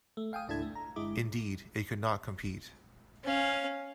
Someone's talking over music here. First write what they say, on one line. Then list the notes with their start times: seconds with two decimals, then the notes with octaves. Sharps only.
Indeed, it could not compete.
0.17 A3
0.33 F5 G5 G#5 D#6
0.48 C#2 G#2 D4 E4 A4 G#6
0.62 A3
0.75 A#5
0.96 G1 G#3 E4 D6
3.24 C#4 F5